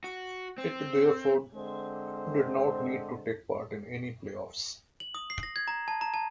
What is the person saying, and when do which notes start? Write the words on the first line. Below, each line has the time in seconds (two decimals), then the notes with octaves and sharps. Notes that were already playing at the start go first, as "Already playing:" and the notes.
It therefore did not need to take part in any play-offs.
0.04 F#4
0.58 C4
1.54 D3 G#3 C4 C5
5.00 F#7
5.15 D#6
5.30 C7
5.43 A#6
5.56 G#6
5.68 A#5
5.88 A5
6.01 A#5
6.14 A5